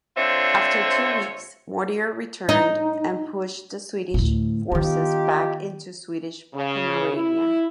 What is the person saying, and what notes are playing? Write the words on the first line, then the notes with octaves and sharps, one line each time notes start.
After two weeks Mortier returned and pushed the Swedish forces back into Swedish Pomerania.
D3 C4 F4 C5 C#5 E5
D#4
D2 A2
D#3 B3 D#4 F4 G4
C#3
E4